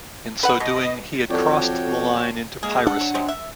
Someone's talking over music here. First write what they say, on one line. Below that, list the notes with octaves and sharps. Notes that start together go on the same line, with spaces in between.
In so doing, he had crossed the line into piracy.
B4 F#5
B2 D#5
F2 F#4 A4 C#5 D5 G5
G#3 A#3 G#4
D4 A4 F#5
F#3
C3 F#3 G#3
E5